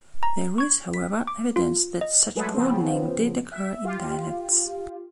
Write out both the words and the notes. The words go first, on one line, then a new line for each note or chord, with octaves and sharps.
There is, however, evidence that such broadening did occur in dialects.
A#5
C#6 G#6
B6
D6
F4
D#5
F#3 G#3 A3 G#4 A4 B4
C#3 F3 B3 C4
E5
F4 G4